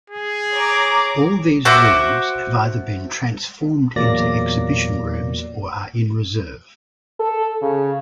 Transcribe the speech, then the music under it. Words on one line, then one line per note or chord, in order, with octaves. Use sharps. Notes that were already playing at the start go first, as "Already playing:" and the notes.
All these rooms have either been transformed into exhibition rooms or are in reserve.
G#4
C#5 A#5 D6
F#4 C5 E5 D6
E2 A#2 F#3 A#3 D5 A#6
A4
C#3